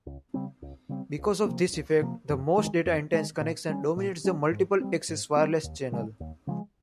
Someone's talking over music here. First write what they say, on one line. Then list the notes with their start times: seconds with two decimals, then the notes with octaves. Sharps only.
Because of this effect, the most data-intense connection dominates the multiple-access wireless channel.
0.06 C#2
0.34 C#3 G3 C4
0.62 C#2
0.89 C#3 G3 C4
1.18 C#2
1.46 C3 F3 A#3
1.73 C#2
2.02 C3 F3 A#3
2.30 F2
2.58 D#3 G#3
2.86 F2
3.13 D#3 G#3
3.40 A#2
3.69 G3 C#4
3.97 A#2
4.24 G3 C#4
4.52 G#2
4.80 G3 C4
5.09 G#2
5.36 G3 C4
5.64 D#2
5.92 C#3 F3 G#3
6.20 D#2
6.47 C#3 F3 G#3